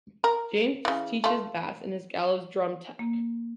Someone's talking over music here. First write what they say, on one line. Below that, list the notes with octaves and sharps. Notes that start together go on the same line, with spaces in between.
James teaches bass and is Gallows' drum tech.
A#4
C#3 E3
A3 F4
A#3